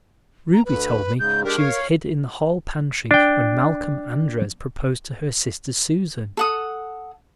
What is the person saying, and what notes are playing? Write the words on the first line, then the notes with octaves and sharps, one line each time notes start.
Ruby told me she was hid in the hall pantry when Malcolm Andres proposed to her sister Susan.
A#5
D2 B4
G#2 C#3 G#3 G6
G#3 D4 G4 A#4
C#5 F5
D4 G5
A4 F#5 D#6